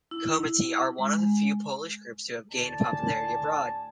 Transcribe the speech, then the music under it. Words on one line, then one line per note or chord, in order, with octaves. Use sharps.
Komety are one of the few Polish groups to have gained popularity abroad.
E4
G#3
D2 A2 D5 G#5 A5